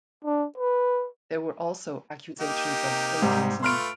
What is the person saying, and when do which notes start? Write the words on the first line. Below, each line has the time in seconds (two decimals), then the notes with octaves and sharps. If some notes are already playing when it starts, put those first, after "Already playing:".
There were also accusations of plagiarism.
0.25 D4
0.58 B4
2.40 A#3 D#4 G4
2.85 C3
3.22 G#2 C3 G3
3.63 A3 F4 B4 C6 F6 D7